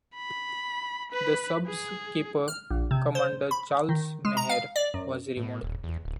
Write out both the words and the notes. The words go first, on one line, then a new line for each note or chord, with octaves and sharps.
The sub's skipper, Commander Charles Maher was removed.
B5
B4 B5
G#4
F6
A#1
C3
C5
B5
D#3
G#3
A#5
F5
D5
F#2
A2
D#1
E2
D1